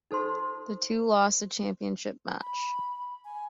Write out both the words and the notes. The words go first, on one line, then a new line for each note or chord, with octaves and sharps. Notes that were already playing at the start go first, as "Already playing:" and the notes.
The two lost the championship match.
D#4 A4 C5 C6
B5
G#5